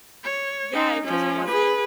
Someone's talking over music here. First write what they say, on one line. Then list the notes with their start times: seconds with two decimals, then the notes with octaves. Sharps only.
Yeah. It just wasn't
0.24 C#5
0.72 C#4 D#4
1.04 F3 C#4
1.48 G#4 B4